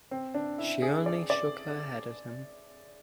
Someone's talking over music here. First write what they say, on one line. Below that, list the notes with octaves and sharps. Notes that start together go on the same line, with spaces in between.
She only shook her head at him.
C4
D4
E4
G#4
D5
D5